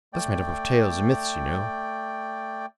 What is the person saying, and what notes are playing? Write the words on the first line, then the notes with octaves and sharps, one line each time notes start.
That's made up of tales, and myths, you know.
A3 D5 G5